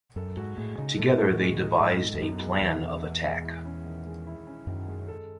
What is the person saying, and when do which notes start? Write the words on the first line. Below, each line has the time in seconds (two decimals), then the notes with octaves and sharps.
Together they devised a plan of attack.
0.16 F#2 A4
0.37 G#2 F#4
0.57 A2 G#3
0.78 C#3 D#4
0.98 A2 A4
1.19 F#4
1.40 G#3
1.60 D#4
1.80 G#2 A4
2.00 D#4
2.14 E2
2.22 F#2 B2
2.41 G#3
2.62 E2 A4
2.83 D#4
3.04 B2
3.24 G#3
3.44 E4
3.65 C#4
3.85 D#3
4.06 G#3
4.27 E4
4.47 C#4
4.67 F#2 D#3
4.88 G#3
5.08 A4